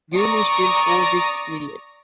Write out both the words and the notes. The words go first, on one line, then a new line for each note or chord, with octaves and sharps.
Give me still four weeks period.
D5 A#5 C#6 D#6